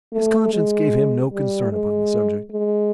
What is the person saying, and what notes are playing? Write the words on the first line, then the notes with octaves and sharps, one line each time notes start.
His conscience gave him no concern upon the subject.
A3
G#3
G3
G#3
G#3